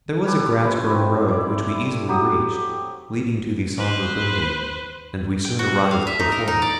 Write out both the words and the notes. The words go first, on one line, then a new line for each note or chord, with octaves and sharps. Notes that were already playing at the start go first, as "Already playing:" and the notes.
There was a grass-grown road, which we easily reached, leading to the sombre building, and we soon arrived before it.
G4 A4 B4 C#5
C#4 E4 F4 B4
A3 C4
E4 D5
F#3 G4 D#6
B4 C5
G5
F#4
F5
E5
D#4
A#4
D#4
D5